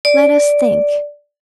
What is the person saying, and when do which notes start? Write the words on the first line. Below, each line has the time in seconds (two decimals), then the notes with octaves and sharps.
Let us think.
0.05 D5